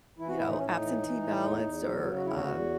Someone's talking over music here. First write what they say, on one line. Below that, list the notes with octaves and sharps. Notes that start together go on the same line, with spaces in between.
you know, absentee ballots or, uh,
E3 E4
F#4
A2 E4
D#4
A2 C#4
D#4
E3
E3
A2
E2
E2
F#3
C#3
F#4
E2 E4
F#4
E2